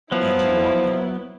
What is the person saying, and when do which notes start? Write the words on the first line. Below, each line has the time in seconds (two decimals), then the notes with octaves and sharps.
And he walked on.
0.11 F3 F#3 B3 E4